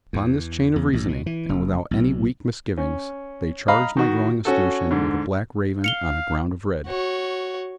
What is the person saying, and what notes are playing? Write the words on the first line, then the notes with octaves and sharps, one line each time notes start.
Upon this chain of reasoning, and without any weak misgivings, they charged my growing escutcheon with a black raven on a ground of red.
E2
E2
A1
B2
E3
F#1
B1
C#4
D#5 F5 A#5 B5
D#3 F#4
C#4 F#4 A4
G#2 D3
F5 C#7 F7 G7
F#4 C#5